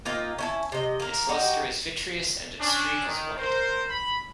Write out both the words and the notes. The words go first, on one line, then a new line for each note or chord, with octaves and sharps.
Its luster is vitreous and its streak is white.
A#3 C4 D#4 F4
C#4 E4 A5
C3 D#5
A#3 A#4
D#4 F#4 G4
C#4 D4
D#3
A#4 C5
B5